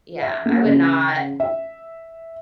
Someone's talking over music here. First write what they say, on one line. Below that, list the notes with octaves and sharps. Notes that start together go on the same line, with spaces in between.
Yeah, I would not
E5
A#3
C#3
E5